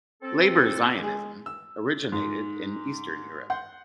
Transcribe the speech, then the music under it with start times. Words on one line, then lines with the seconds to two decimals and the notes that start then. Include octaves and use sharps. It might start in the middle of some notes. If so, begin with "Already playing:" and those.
Labor Zionism originated in Eastern Europe.
0.22 C4 A4
0.99 G#3 G#4
1.46 E6
2.12 G#2
3.50 F#5 C6 F#6 G6